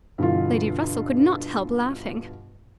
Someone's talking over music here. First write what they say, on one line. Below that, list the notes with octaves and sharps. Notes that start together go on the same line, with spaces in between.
Lady Russell could not help laughing.
G2 B2 D3 E3 F4